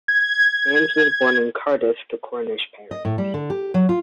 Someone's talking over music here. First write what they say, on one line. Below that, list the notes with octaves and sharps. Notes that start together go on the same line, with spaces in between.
Nance was born in Cardiff to Cornish parents.
G#6
D#5
A2
G3
D3
G4
F#3
F4